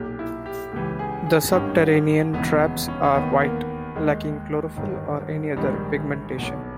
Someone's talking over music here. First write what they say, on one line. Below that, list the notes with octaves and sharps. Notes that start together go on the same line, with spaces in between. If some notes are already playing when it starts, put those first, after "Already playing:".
The subterranean traps are white, lacking chlorophyll or any other pigmentation.
Already playing: B1 A#2 G4
E4
G4
C#2 C#3 E3 G4
G#4
G#4
G#1 G2 D#3 C#4
E1 D#2 C#3 E3 B3
C#4
C#4
D#2 D#3 B3
A#3
D#2 D#3 G#3
G1 G2 D#3
A#1 G#2 D#3 G3
B1 B2